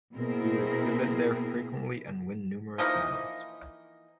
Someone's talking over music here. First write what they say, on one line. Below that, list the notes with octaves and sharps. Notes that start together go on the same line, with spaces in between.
He would exhibit there frequently and win numerous medals.
B2 A#3 C4 E4 G#4 A#4
E3 F3 A#3 D#4